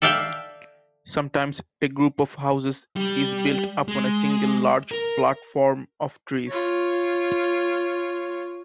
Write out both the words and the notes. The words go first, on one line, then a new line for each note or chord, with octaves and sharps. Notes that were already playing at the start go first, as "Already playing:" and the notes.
Sometimes a group of houses is built upon a single large platform of trees.
A4 D5 E5 F5 G5
G3
G#3
A#4
F4 C#5